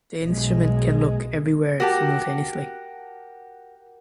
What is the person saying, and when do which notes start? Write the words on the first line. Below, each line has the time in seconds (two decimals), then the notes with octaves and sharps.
The instrument can look everywhere simultaneously.
0.24 B1 G#3
1.80 F#4 G4 A#4 F#5 A5 A#6